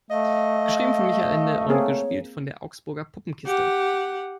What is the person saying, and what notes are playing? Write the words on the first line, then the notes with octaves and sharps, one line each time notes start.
Geschrieben von Michael Ende und gespielt von der Augsburger Puppenkiste.
A3 D#5 F5
A#3 C4 G#4 C#5
G4 F#5